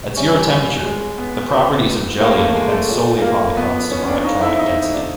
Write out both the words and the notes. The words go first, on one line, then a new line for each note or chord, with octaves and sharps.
At zero temperature, the properties of jellium depend solely upon the constant electronic density.
G3 C#5 E5 G#5 C#6
G#3
B3
D4 F#4 B4 E5
A#3
A3
G#3
A3
F4 A4 C#5 F#5
A#3
B3
C#4
D4
D#4 A4 C5 F5 A#5 C#6
E4
D#4
D4